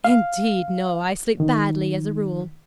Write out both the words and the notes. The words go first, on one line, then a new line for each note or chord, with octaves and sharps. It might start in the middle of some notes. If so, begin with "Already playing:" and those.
"Indeed no, I sleep badly, as a rule."
F5
D#3